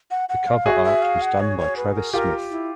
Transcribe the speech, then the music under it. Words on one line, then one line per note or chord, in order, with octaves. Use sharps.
The cover art was done by Travis Smith.
F#5
F#5
F5
F#4 G#4 E5
E5
F5
F#5
C#5
C#5
B4
A#4
F4 G4 A#4
E4